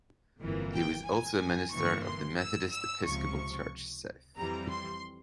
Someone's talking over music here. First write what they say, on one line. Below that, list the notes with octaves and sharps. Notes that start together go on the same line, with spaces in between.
He was also a minister of the Methodist Episcopal Church South.
G1 F2 E3 A#3
G5
G#5
G1 G2 E3 A#3 C#6
C6
E6
E6
C#2 C3 F3 C#6
F2 E3 G3 C4 A#5
C6